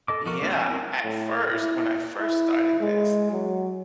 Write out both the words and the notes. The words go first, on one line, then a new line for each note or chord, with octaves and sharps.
Yeah. At first, when I first started this,
A4 D#5 D6
F3 F#4 A#4 C#6
G#3 B3 C#4 D4 F4
D#4 E5 G#5
F#3 C4 E4 A#4
A2
E4
E4
G#3
F#3